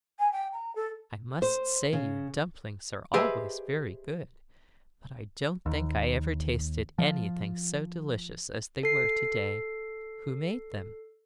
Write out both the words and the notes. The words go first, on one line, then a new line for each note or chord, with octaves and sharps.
'I must say your dumplings are always very good; but I don't think I ever tasted anything so delicious as they were to-day. Who made them?'
G#5
G5
A#5
A4
C5
C#3
G4 G#4 B4 C5 D#5 E5
D#2
F3
A4 C7